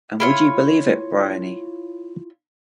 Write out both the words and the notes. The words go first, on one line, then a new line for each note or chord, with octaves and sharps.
And would you believe it, Bryony?
E4 F4 C#5